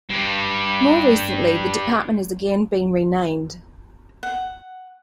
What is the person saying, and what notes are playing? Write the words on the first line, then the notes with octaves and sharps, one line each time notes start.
More recently, the department has again been renamed.
G2 G3
F#5